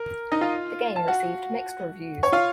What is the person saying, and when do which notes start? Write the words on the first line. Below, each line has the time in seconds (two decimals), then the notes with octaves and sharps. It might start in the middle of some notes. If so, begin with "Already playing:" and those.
The game received mixed reviews.
Already playing: A#4
0.32 D#4 D#5
0.41 F4 F5
0.96 A5
1.08 F#4 F#5
2.23 C#5 C#6
2.32 F4 F5